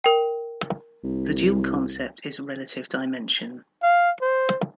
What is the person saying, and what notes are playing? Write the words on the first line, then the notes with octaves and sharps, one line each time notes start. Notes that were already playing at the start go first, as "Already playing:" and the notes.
The dual concept is relative dimension.
A#4 G5
C2
F5
C5